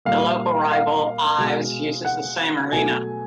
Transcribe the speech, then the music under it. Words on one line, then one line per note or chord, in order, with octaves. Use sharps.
The local rival Ilves uses the same arena.
A#2 G3 A#3 F5
F5
B2 G#3
F#5
B2 F#3 A3 G#5